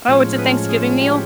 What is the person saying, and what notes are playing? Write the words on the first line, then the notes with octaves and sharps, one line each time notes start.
Oh, it's a Thanksgiving meal?
A2 F3 G#3 C4 C#4 C5
B3 B4
G#4
G4